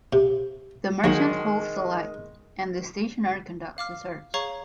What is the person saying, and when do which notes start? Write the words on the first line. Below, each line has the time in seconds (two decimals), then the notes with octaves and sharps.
The merchant holds the light, and the stationer conducts the search.
0.13 C3
1.04 D#3 F#3 G#3 C#5
3.78 F5 D6 F6
4.34 G#4 C#5 F5 A#5 C#6 G#6